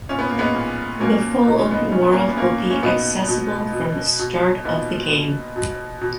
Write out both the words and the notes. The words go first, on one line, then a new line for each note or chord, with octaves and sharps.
The full open world will be accessible from the start of the game.
A#2 C#4
B3
A#3
G#3 B3
A#2
B2 A#3 C#4
B2 D#4
C#4
B3 D#4
A#2 C#4
B3
A#3 C#4
B3
A#2 A#3 C#4
C#4
B2 B3 D#4
B2
B2
B2
A#2 B3 D#4
A#2
B2
B2